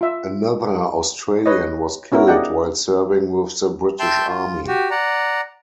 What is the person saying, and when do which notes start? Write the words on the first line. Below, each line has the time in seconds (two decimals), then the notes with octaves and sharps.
Another Australian was killed while serving with the British Army.
0.01 F4 E5
1.46 B4 C#5 D#5
2.12 B3 C#4 E4 F#4 A#4
2.27 G#4 D5 D#5 F#5 G5
4.00 E5 G5 A5 C6 G6
4.27 F4
4.67 F#4 G4
4.91 D5 F#5 A#5